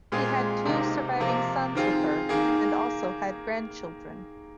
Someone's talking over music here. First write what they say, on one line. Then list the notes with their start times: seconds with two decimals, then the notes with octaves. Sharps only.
He had two surviving sons with her and also had grandchildren.
0.12 A#2 G#3 C4 F4 G#4
0.65 C3 D#3 A#3 D#4
1.20 C3 F3 A#3
1.75 D#3 C4 F4 G#4
2.29 D#3 A#3 G#4